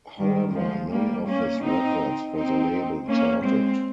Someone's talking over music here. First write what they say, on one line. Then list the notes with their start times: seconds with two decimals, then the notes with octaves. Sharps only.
However, none of his records for the label charted.
0.17 D#3 G3
0.53 F3 G#3
0.90 G3 A#3
1.26 A#3 C#4
1.62 C4 D#4
2.35 C4 D#4
3.07 A#3 C#4
3.43 G#3 C4